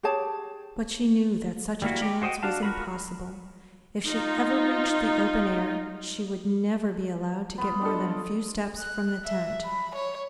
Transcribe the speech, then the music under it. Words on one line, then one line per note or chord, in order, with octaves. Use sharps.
But she knew that such a chance was impossible; if she ever reached the open air she would never be allowed to get more than a few steps from the tent.
G4 G#4 C#5 A5
G3 A#3 E4 F#4
G4
F#4 C5 D#5 F#5 G5
D4 F#4 F5 A5
F4 F#4 A#4 B5
D#4 F4
B3 F4
D4 A4 D#5
F#6
E5
B5
C#5